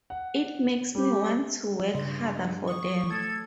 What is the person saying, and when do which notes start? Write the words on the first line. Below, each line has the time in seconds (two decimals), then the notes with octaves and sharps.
It makes me want to work harder for them.
0.10 F#5
0.95 G3 G4
1.94 G2 C#3 C6
2.68 C#6 D#6
3.10 A3 A4 G#6